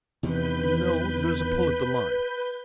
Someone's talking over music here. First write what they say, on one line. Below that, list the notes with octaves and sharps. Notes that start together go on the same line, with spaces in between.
No, there's a pull at the line.
E2 C3 D#3 B4 G6